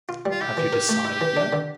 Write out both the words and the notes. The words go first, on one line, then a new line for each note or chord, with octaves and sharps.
Have you decided, yet?
F4
G3
F4
E4 G4
E3
A#4
A3
E4
E3
D4
D3